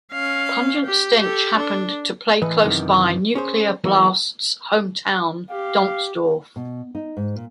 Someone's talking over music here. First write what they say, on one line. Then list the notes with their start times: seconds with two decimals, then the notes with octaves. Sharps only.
Pungent Stench happened to play close by Nuclear Blast's hometown, Donzdorf.
0.11 C#4 F5
0.85 G4
1.20 G4 A4
1.57 D4
2.42 A2 E3 B4 D#5
2.62 F#2 C3 D#3 E3
3.35 C#4 G#4 C5
3.84 E3 F#3 G#3 A#3 B3
5.50 G4 F5
6.56 B2
6.95 D#4
7.17 G#2
7.36 A#2